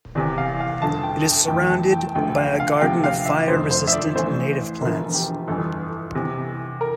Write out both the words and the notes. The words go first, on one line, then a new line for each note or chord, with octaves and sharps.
It is surrounded by a garden of fire resistant native plants.
E2 C3 E3 D5
F5
F5
G1 F2 D3 A5
G5
G5
F1 E2 E3 G5
A5
G5
E1 D2 D3 F3 G5
F5
F5
D2 C3 F3 G5
F5
E5
F1 F2 D3 F3 C5
C5
E5
D5
A1 A2 E3 C5
E1 E2 D3 F3 A#4
G4
G1 F2 E3 A4
E2 C3 E3
A#4